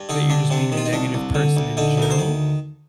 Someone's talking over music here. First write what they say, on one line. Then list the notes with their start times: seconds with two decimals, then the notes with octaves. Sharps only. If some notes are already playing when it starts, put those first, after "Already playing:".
that you're just being a negative person in general,
Already playing: G2
0.09 D3 D#4
0.30 G2 D4
0.50 C3 D4
0.72 D#3
0.77 F4
0.85 D#4
0.92 C2 D4
1.14 C2
1.34 D3
1.57 D2
1.77 D3 D#4
1.97 D2 A#4
2.10 C5
2.18 D#3